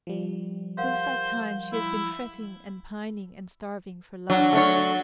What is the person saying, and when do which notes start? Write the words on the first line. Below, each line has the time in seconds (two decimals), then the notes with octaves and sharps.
Since that time she has been fretting and pining and starving for love.
0.07 F3 G3
0.77 A#4 C5 F5 F#5
1.73 E4
4.30 F#3 D4
4.53 A3 D4 C#5